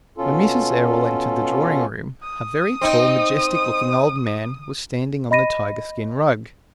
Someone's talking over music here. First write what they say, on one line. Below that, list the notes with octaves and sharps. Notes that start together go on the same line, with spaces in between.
When Mrs. Errol entered the drawing-room, a very tall, majestic-looking old man was standing on the tiger-skin rug.
B2 C#4 F4 A4
D#6
C4 D#4
D#5 B5 A#6 D#7